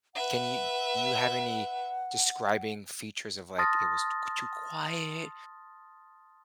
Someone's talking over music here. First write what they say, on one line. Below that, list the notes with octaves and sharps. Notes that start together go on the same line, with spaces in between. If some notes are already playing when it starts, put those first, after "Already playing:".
Can you you have any describing features of, like, it was t q too quiet
B4 E5 F#5
A5 C6 D#6 F6 A6 A#6